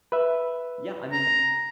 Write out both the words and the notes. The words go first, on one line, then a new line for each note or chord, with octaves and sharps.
Yeah, I mean
B4 E5
A#5